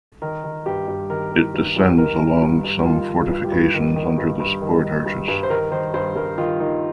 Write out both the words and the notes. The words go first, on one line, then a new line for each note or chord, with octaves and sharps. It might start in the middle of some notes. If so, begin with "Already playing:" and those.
It descends along some fortifications under the support arches.
D#3 A#4
D#3
G2 G4
G2
D#3 A#4
D#3
G2
G2
D#3 A#4
D#3
G2
G2
D#3 F4
D#3
F4
G2
G4
G2
D#3
D#3
G2
G2
D#3
D#3
G2
G2
C5
D#3 A#4
D#3 C5
G2 C5
G2 A#4
D#3 F4
D#3 D#4